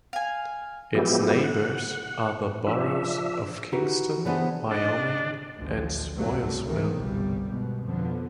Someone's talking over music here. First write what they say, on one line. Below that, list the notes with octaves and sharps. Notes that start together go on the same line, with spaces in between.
Its neighbors are the boroughs of Kingston, Wyoming, and Swoyersville.
F5 G#5
F3 F#3 G#3 B3 E4 G4
F#5
F3 D4 E5
D#4 E4 F#4 G4 B4
C#3 E3 B3 D4 G#4 C5
D4 D#5
A1 D2 F3
C2 G2 C3 F#3 A3
C#2 B2 D#3 E3
G1 C2 G3
G#2 B2
F2 B2 D3 F3 B3